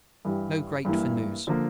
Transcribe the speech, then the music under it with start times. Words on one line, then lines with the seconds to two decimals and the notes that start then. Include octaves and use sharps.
No great for news.
0.25 G2 E3 G3
0.85 G2 E3 A#3 E4
1.47 D3 F3 A#3